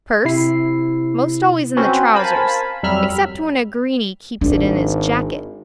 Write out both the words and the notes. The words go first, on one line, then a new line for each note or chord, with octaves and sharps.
Purse--most always in the trousers, except when a greeny keeps it in his jacket.
C3 E4 C7
C4 C#4 F#4 B4 C5
A#4 C5 F5 G#5 A5 B5
F2 F#3 G3 E5 B5 F6
G#1 D4